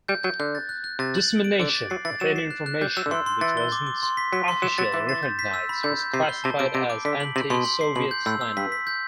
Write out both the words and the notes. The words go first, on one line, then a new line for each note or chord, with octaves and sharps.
Dissemination of any information which was not officially recognized was classified as "Anti-Soviet slander".
G3 G6
F#3 G6
D3 F#6
A6
F#6
F#6
C3 A6
F#7
F#7
D7
D3 D6
A6
F#3 C7
E3 A6
F#3 E7
C7
F#6
F#6
G3 G6
F#3 E6
D3
E3 C6
C6
E3 A6
G7
D6
D6
C6
B6
F#3 B6
C6
F#3 E7
F#3 A6
E3 A6
A6
G6
B6
E6
B5
D3 G6
G6
C3 C7
G7
C3 A5
C3 D7
C3 D7
D6
D3 B6
F#7
C3 F#7
B2 C6
F#7
C7
B2 F#7
G6
A2 E6
E6
G2 B6
B6
G6